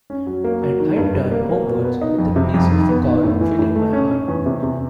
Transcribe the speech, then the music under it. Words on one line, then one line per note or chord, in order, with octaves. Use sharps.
And I turned homewards with the peace of God filling my heart.
C#4
F#3
A#3
F#3
D#3
G2
G3
A#3
A#3
B2
B3
D#4
F2
C3
F2
D#3
B3
D#3
A2
E3
A2
A3
C#4
C#4
E2
C3
C3